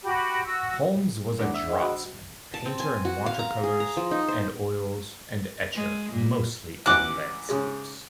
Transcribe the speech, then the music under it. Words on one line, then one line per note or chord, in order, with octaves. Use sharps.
Holmes was a draughtsman, painter in watercolours and oils, and etcher, mostly of landscapes.
F#4 G4 B5
F#4 E6
G#2 E3 G#3 D4 D5 F#5
E5 D#6 E6
G#3 C5 F#5 G5
F#4 F#5 B5
A5
C4
G#5
F#4
F5
A#5
G#4
A#5
F3
D#4
C5
G#3
A#2
A1 E3 F#5 D6 F#6
G#2 C#3 G#3